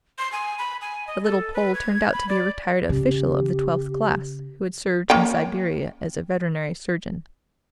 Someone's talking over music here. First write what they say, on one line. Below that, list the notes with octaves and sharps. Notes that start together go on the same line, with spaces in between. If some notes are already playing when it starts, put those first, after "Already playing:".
The little Pole turned out to be a retired official of the twelfth class, who had served in Siberia as a veterinary surgeon.
C6
G#5
B5
G#5
D#5
A4
B4
G#6
B5
D5
C#3 G4
A#3 C#4 G5